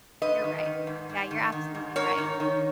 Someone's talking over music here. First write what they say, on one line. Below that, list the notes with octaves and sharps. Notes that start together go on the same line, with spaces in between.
You're right. Yeah, you're absolutely right.
G#2 B4 D#5
D#3
D#3
G#2
G#2
D#3
D#3
G#2
G#2 A#4 C#5
D#3
D#3